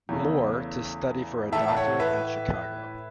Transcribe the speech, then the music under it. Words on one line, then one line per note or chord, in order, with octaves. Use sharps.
Moore to study for a doctorate at Chicago.
E2 C#3 E3 A3
A2 E3 A3 E5 A5
A5
C#5 F#5
B4 E5